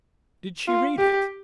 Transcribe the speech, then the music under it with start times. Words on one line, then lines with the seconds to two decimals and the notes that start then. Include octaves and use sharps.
"Did she read it?"
0.68 F4
0.98 G4